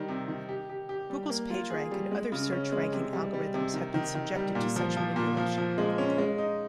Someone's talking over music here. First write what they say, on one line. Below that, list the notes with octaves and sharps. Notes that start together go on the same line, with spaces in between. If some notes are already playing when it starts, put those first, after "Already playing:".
Google's PageRank and other search ranking algorithms have been subjected to such manipulation.
Already playing: D#3 G3
C3
D#3
G4
G4
G4
G3
A#3
F4
G#4
G3
G#3
C#3
C#4
G#3
C3
G3
G3
C3
D#3
D#3
D#3
G3
A#2
F3
F3
A#2
F3
F3
G#3
C#4
G#3
D#4